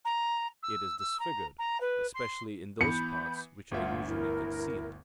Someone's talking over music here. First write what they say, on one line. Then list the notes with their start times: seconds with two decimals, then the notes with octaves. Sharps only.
It is disfigured, especially in those parts which are usually concealed.
0.05 A#5
0.63 E6
0.99 E6
1.19 A#5
1.58 A#5
1.80 B4
2.14 C6
2.81 E3 B3 B5 G6 C#7
3.71 G1 D2 F4 E5 F#5
4.07 E4 A#4